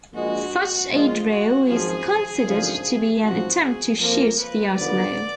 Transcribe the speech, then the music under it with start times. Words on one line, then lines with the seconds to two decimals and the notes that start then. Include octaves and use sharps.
Such a draw is considered to be an attempt to "shoot" the outlaw.
0.14 A#1 A#2 G#3 F#4
0.91 A#1 A#2 F3 G#3 F4
1.30 F#4
1.68 G#1 F#2 F3 G#4
2.46 G#1 F#2 D3 F3
3.22 G#1 F#2 F3 F#4
3.61 G#4
4.00 F2 F3 A#3 A#4
4.38 B4
4.77 D#2 D3 F3 B3 D5